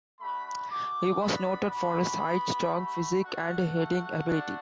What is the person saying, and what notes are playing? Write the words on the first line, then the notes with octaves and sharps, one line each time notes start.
He was noted for his height, strong physique, and heading ability.
A3 D4 F#4 B5
A3 F#4 D6
B3 D4 F#4 B5
B3 D4 F#4 B5
B3 F#4
A3 F#4 B5
A3 D4 F#4 F#5
A3 F#4
A3 D4 F#4